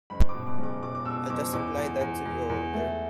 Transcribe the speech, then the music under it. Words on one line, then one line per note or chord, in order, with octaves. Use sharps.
I'll just apply that to your order.
F#1 B5
D6
B2
D6
F#1
D6
B2 D6
D6
B2 E6
F#1 D6
E2 D6
E2
E2
E2
E2
A3